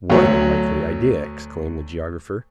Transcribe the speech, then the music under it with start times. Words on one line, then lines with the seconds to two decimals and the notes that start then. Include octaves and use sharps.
"What a likely idea!" exclaimed the geographer.
0.10 D2 F#3